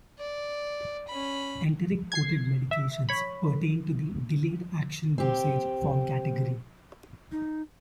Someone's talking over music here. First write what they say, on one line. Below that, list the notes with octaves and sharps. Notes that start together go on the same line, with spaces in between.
Enteric coated medications pertain to the "delayed action" dosage form category.
D5
C#4 B5
G#6 C7
E5
C#5 B5
C4 G4
D#4